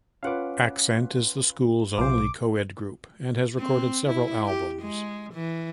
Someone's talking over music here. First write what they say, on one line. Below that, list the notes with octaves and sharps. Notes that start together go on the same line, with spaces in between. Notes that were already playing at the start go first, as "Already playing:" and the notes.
Accent is the school's only co-ed group and has recorded several albums.
C#4 F4 B4 F5 F#5 D6
B1 F4 C5 D6
C4
E4
G4
G#3
E3